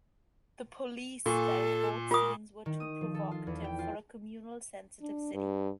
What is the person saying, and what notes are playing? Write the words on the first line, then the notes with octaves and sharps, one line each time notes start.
The police felt both scenes were too "provocative" for a "communally sensitive" city.
A#2 A4 C#6
F4 A#4 D#6
D#3
D#6
F3
A4
F4
E2
G5
F4
D4
G2